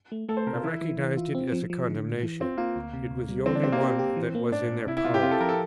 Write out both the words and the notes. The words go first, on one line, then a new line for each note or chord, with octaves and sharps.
I recognized it as a condemnation; it was the only one that was in their power.
A3
A3 A4
C5
C3 A#4
F4
E3 E4
E3
E3
F4
C4
F3
F3
D3
A2
E3
C4 F4
A#3 F4
D2
C3
D2
G3
E3 C4
D4
C4 G4
A#3
C4 G4
G4
E3
A#3
A2 D4
A2
C3 E4
E4
C3 F4
G4
C4 F4
A4
F3 A#4
A4